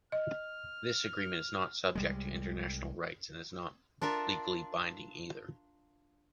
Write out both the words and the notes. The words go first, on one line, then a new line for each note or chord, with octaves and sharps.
This agreement is not subject to international rights and is not legally binding either.
D#5 F6
C2 G3 G#3
D4 F4 A#4 E5